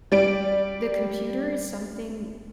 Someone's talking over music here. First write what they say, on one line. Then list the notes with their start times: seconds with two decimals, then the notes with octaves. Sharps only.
the computer is something
0.12 G3 D5 D7